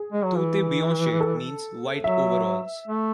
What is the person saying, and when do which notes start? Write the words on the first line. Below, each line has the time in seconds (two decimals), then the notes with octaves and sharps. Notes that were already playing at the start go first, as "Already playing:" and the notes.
Tute Bianche means, "White Overalls".
Already playing: G#4
0.12 G#3
0.24 F#3
0.37 E3
1.20 A4
2.04 F#3 E5
2.88 A3